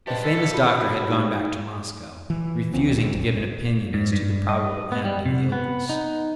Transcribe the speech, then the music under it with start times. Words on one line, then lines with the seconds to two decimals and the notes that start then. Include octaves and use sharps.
The famous doctor had gone back to Moscow, refusing to give an opinion as to the probable end of the illness.
0.07 D4 G4 B4 C5 D#5 A5
0.24 A4 B6 C#7
0.53 F#4 B5
0.82 E4
1.09 G#2
2.30 E3
2.74 C#2 E3 C4
2.97 B2 D3
3.12 F#1 B1
3.94 G#2
4.12 G2
4.49 D#5
4.92 B3
5.05 G3
5.26 C3
5.52 B3
5.89 D#4